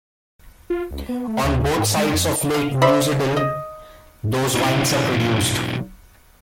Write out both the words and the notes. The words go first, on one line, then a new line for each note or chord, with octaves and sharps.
On both sides of lake Neusiedl those wines are produced.
F4
C#2
B3
A3
D2
G#2
G#3
F2
F5
C5 D5 E5 B5
D#5
B1 E3